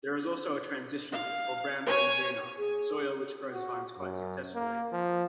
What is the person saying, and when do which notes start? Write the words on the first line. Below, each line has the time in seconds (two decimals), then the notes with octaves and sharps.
There is also a 'transitional', or brown rendzina, soil which grows vines quite successfully.
1.12 F5
1.86 C#5 G#5
2.58 G#4
3.53 F#4
3.99 F#2
4.55 A#3
4.92 F3